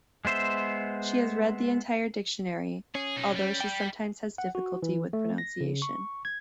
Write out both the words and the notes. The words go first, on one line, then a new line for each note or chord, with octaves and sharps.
She has read the entire dictionary, although she sometimes has difficulty with pronunciation.
G#3 B3 C5 E5 C6
C#4 G#4
B2 D#4
G3
G5
F#5
F#4
E3
A3
A#6
C#3
C#6
G#6